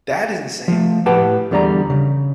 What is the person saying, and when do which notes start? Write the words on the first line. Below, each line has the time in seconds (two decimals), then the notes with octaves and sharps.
That is insane.
0.68 F3 A3
1.06 A2 G4 B4 F#5 G5 A5
1.51 E2 D3 G3 D5 A#5
1.90 C#3